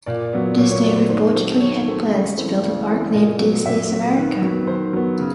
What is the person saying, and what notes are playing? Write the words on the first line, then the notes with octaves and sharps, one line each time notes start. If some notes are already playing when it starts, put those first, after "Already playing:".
Disney reportedly had plans to build a park named Disney's America.
A#2 D5
F#3 B3
A#2 C#5
C#5
F#3 B3 D5
C5
D#3 C5
F#3 A3 C4
D#3 C#5
F#3 A3 C4
C#3
E3 A3 C4
C#3 D5
E3 A3 C4
A#2 D#5
F#3 B3
A#2 E5
F#3 B3
D#3 B4
F#3 B3
B4
D#3 C5
F#3 B3
C#3